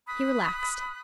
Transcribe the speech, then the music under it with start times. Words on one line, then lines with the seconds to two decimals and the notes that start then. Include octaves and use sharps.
He relaxed.
0.07 B5 D#6 F#6